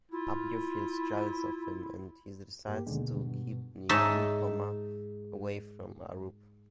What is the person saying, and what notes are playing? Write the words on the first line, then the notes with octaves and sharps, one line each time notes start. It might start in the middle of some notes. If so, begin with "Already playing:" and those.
Abir feels jealous of him and he decides to keep Nirupoma away from Arup.
E4 F4
G2 A#3 G4
D#2 B2 D3 G#3
G2
G#2 D#4 C#5 E5 A5